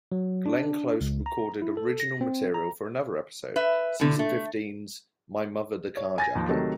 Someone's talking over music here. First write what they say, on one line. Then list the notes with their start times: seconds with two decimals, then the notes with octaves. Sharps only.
Glenn Close recorded original material for another episode, season fifteen's "My Mother the Carjacker".
0.12 F#3
0.46 D4
1.01 C#2
1.26 A#5
1.62 E4
1.77 A4
2.00 A#6
2.21 C4
2.54 A#5
3.56 B4 E5
4.00 A2 D3
4.19 A3
5.97 C#5
6.18 G#5 A6 A#6
6.35 D#2 F3
6.49 C3 D#3 F#3 A3